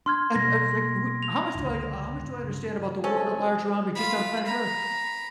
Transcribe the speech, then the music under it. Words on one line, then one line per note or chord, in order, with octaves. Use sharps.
I d I was like, what how much do I how much do I understand about the world at large around me just on planet Earth?
D4 C6 F6 G#6
B2 G3 A#3 A#6
F7
G1 C#2
G2 C#3
D2 C3 C#4 A4 G#5
F4 B5
A#5 B5